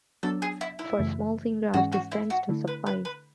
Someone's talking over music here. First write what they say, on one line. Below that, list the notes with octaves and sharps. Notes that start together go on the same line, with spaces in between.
For small scene graphs, this tends to suffice.
F#3 B3 D4 A4
G#4
E4
E4
F#2 C#3 E3 A3
G#2 E3 G#3 C#4 F#4
F#4
E4
F#4
D3 A3 E4
B4
B4
B4